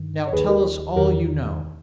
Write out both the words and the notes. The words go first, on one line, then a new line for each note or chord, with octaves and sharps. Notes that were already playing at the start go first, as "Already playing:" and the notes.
Now tell us all you know.
Already playing: G2 D#3
C#5
D#2 D#3 G#4 B4
G4 A#4
E2 D#3 G4 A#4